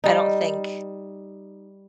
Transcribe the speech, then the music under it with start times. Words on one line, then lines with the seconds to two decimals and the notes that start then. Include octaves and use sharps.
I don't think
0.04 G3 D#4